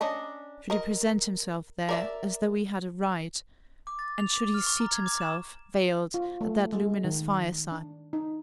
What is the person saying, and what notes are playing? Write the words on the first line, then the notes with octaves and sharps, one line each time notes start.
Should he present himself there, as though he had a right, and should he seat himself, veiled, at that luminous fireside?
C#4 D4 D#5 A#5
A#4 D#5
A#4 D5 E5
D6
A6
F7
D6
F6
C#6
A#5
G#6
D6
E7
F4
A3
G#3
D#3
D4
D#4